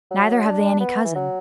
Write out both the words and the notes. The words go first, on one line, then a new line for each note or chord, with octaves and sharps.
Neither have they any cousin.
F#3
D4
B3
E3
F#3